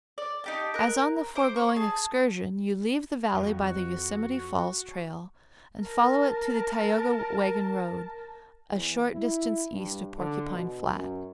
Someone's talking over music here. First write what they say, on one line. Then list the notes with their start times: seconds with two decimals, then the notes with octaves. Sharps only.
As on the foregoing excursion, you leave the Valley by the Yosemite Falls trail and follow it to the Tioga wagon-road, a short distance east of Porcupine Flat.
0.18 D5
0.44 D#4 G4 A5
0.74 A#4 F#6
1.35 C5 C6 D6
1.56 C#6
1.76 G#4 A5
3.34 F2 F#4
5.81 A#4 A5
8.69 E2
9.14 E4
9.73 G2
10.18 D3
10.51 B2
10.93 F#2